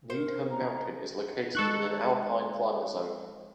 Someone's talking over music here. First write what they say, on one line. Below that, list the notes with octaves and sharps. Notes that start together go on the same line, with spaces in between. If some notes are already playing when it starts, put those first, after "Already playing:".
Needham Mountain is located in an alpine climate zone.
A#4 C5
A#5
G#3 D#4 A4 C#6 F#6